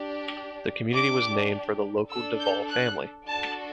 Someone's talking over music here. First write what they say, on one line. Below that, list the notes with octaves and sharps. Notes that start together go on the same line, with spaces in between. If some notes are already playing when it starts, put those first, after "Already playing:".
The community was named for the local Devol family.
Already playing: D4 G4
D4 G4 D6
D4 A4 E6
G6
F#6
D4 F#4 A4 A5